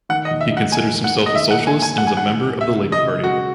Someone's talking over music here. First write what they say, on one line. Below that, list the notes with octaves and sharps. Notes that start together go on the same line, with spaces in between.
He considers himself a socialist and is a member of the Labour Party.
D#3 F#5
D#5
D#2
E5
D#4
F#5
A#3 G#5
D#2
F#5
A#3
D#5
D#3 E5
F#5
A#3
G#5
D#4
G#5
D#3 F#5
G#5
D#3 F#5
D#2
C#3 E5
E2
D#5
C#3
G#3 F#4